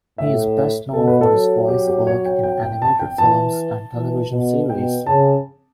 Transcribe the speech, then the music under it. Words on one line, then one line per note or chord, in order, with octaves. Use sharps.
He is best known for his voice work in animated films and television series.
A2 E5
B2 A4
B4
A4
F#3
G4
G4
C#5
G5
G5
G5
A5
G5
E3 A5
E3
B2
B2 G5
C#3 A5